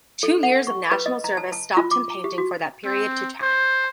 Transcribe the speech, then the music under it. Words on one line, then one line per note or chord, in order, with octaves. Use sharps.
Two years of national service stopped him painting for that period to time.
A4
F#5
C#6
B4
D#5
A#5
A5
A5
F4
D6
G4
F#4
C4
C5